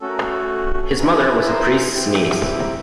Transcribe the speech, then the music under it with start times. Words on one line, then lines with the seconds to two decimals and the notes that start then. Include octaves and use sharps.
His mother was a priest's niece.
0.01 A3 C#4 F#4 A4
0.09 A#4
0.18 A4
0.98 B3 E4 G#4 A#4
1.14 A4 B4
1.30 A4 B4
1.47 A#4 C5
1.94 C4 E4 G4
2.43 A4 B4
2.60 A#4